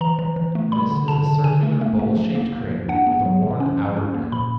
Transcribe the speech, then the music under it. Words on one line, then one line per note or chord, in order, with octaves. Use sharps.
This is a circular, bowl-shaped crater with a worn outer rim.
E3 A#5
E3
E3
A3
G3 B5
D3
D3 A5
D3
C#3 G#5
A3
A3
A3
F3
A#3
A#3
F3
D4 F#5
B3
F#3
D#3
C#4
F3
C#4
A#3
A#2 B5